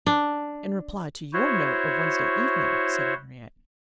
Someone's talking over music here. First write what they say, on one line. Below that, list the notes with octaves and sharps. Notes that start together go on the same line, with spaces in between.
"In reply to your note of Wednesday evening," said Henriette.
D4
E4 F#4 C5 C#5